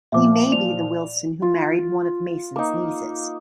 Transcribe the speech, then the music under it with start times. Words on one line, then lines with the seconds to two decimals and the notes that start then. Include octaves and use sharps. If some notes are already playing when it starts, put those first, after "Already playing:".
He may be the Wilson who married one of Mason's nieces.
0.12 A#2 F3 E5 D6
0.52 D5 F7
1.42 F4
2.56 A#3 D#4